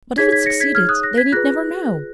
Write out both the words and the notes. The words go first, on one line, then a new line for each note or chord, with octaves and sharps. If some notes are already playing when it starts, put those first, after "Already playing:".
'But if it succeeded, they need never know.
D#4 G#4 C#5 G#6 B6
G#6 B6
A#6 C#7
G#6 B6
F6 G#6
D#6 F#6
F#6 A#6
G#6 B6
F4 G#4 B4 F#6 A#6